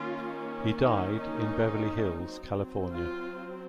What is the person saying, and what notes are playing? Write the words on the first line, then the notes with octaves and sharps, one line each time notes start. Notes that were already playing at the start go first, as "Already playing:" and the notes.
He died in Beverly Hills, California.
Already playing: D#3 A#3 C#4 F4
D#4
D#4
F#3 C4
F4